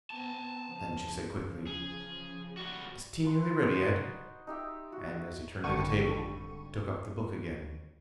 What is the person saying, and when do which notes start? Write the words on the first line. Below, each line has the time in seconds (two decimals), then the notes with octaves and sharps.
Then she said quickly, "Is tea nearly ready, Ed?" and, as he turned to the table, took up the book again.
0.10 B3 C4 G#5 A5
0.66 C#3 F3
1.67 G#4
2.57 G3 F#4
3.24 B4 C6
3.60 D#4 F#4 C5
4.47 D#4 G4 E5
4.92 F#4
5.64 G#1 D3 G3 C#6 D#7